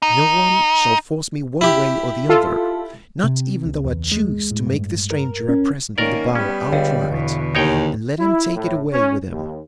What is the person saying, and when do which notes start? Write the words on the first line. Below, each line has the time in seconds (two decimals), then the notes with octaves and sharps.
No one shall force me one way or the other, not even though I choose to make the stranger a present of the bow outright, and let him take it away with him.
0.02 D#4
1.61 E4 G4
2.29 F4 A4
3.24 C3
3.65 C#2
3.85 E2
4.11 G#3
4.51 A2
4.67 G2
5.11 A#4
5.49 C#4
5.98 D#3 A#3 C#4 A#4 D5
6.35 G3 B3 C#4
6.73 C#2 D3
7.09 E2 B2
7.55 D#2 D#4 C#5 G5
8.18 E4
8.55 A2
8.91 C#4
9.30 D#2